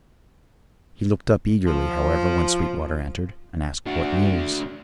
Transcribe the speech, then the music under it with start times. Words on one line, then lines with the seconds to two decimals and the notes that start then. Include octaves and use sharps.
He looked up eagerly, however, when Sweetwater entered, and asked what news.
1.66 F3
3.87 D4 F#4